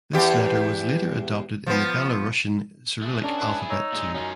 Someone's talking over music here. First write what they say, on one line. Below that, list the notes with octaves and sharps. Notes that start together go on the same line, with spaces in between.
This letter was later adopted in the Belarusian Cyrillic alphabet too.
E2 G4
F3 B3
G#3 A3
C#4 D4 G#4 A#4 A5
E4 G#4 B4
D#4 C#5 E6
A#2 G#3
F#2 C#4 F4 A#5